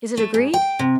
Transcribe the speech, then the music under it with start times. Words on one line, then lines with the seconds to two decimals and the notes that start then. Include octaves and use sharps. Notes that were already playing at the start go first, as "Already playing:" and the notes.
"Is it agreed?"
0.17 A3
0.34 G#2
0.54 G5
0.79 C3